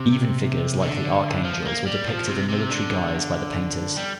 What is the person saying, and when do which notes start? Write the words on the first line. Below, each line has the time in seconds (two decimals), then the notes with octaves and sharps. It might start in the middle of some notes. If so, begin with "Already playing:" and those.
Even figures like the archangels were depicted in military guise by the painters.
Already playing: C3
0.82 D3
1.44 F3
1.65 A#3
1.87 G3
2.07 F3
2.29 C3
2.49 C3
2.70 D3
3.97 G3